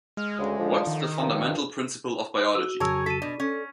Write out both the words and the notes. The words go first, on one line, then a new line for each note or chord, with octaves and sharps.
What's the fundamental principle of biology?
G#3 F6
D2 C#3
D3 F3
D#3
G2 A#2 F3
F#4 E6
F2 C#3 F#3 G#4 A#4 C#5 A5 E6
A4 B6 D#7
B2 D4 D5
C#4 A4